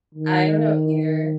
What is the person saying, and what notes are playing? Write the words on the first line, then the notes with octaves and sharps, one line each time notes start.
I don't know either.
D#3